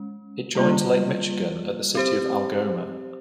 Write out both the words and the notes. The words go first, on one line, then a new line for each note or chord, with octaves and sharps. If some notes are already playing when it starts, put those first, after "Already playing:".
It joins Lake Michigan at the city of Algoma.
Already playing: G#3 C#4
G3 A#3 F4
C4 G4 C5